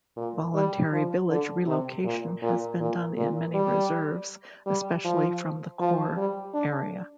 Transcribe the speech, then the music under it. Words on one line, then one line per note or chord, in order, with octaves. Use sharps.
Voluntary Village relocation has been done in many reserves, especially from the core, area.
A#2
G3
F3
D3
C3
A#2
A#2
A#2
A#2
G3
G3
F3
F3
G3
D4